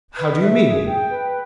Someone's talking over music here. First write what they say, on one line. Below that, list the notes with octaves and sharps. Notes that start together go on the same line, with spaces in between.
"How do you mean?"
B4
E5
G#4
G5
B4